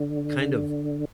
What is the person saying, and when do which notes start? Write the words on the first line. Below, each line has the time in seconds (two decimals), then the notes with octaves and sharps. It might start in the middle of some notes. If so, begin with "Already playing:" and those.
kind of
Already playing: D3